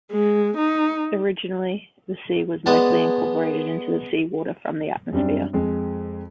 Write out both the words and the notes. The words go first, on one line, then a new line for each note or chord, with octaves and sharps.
Originally, the C was mostly incorporated into the seawater from the atmosphere.
G#3
D#4
G#3 B3 B4 D5 A5
F#2 G3 C4 D4
F2 G#3